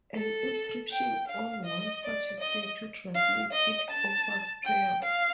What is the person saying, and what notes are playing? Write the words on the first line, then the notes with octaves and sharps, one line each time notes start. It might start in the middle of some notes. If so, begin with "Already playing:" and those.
An inscription on one such statue translates, 'It offers prayers.
A4
G5
F5
D#5
D5
D#5
F5
D#5
A5
G5
F5